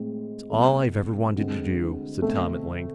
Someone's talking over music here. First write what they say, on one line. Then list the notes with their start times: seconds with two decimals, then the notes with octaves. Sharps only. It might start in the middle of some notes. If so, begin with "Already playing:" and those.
"It's all I've ever wanted to do," said Tom at length.
Already playing: A2 G#3 C4
0.50 C2 B2 A3
1.36 D2 D3 G#3 C4
2.22 B2 A3 C4